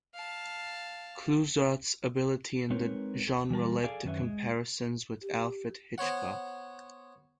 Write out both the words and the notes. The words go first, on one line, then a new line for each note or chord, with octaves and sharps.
Clouzot's ability in the genre led to comparisons with Alfred Hitchcock.
F5 A5
G#3 C4 D#4 A#4 B4 C#5
E3 G3 A#4 A5
G#4 A4 D5 F5 G#5
F#2 D#3 C#4 B4 E5
G#3
G4
B3 C5 C#5 F#5